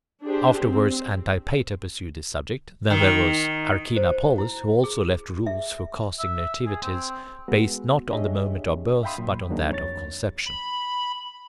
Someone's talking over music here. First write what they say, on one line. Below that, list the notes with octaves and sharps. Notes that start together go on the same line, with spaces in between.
Afterwards Antipater pursued the subject; then there was Archinapolus, who also left rules for casting nativities, based not on the moment of birth but on that of conception.
D4 G4 G#4 C5
C4
D#3
C5
E4
G#4
E5
E5
G#4
C4
G#3 B3 F#4 G#4
D4 G4 G#4 C#5 D#5 E5
E5 F5 G5 B5 C6 D#6
A#2 F#3
D#3 F#3 A#3 D4 D#4 G#4
F2 C#5 A6
B5